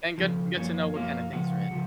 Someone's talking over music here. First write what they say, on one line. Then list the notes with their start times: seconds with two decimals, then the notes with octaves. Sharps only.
and good good to know what kind of things you're in.
0.18 F2 C#3 F3
0.57 F#2 F3 A#3 F4 C#5
0.94 F#2 F3 A#3 F4
1.33 C#3 F3 F#5
1.71 C#3 F3